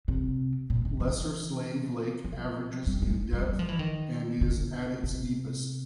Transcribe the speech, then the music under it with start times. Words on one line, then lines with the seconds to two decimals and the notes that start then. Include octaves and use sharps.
Lesser Slave Lake averages in depth and is at its deepest.
0.08 C3
0.70 A#2
0.85 D#3
1.00 E3
2.24 F3
2.87 G3
3.02 G#3
3.33 G3
3.49 F#3
3.59 F3
3.69 E3
3.79 D#3
4.41 D3
5.03 C3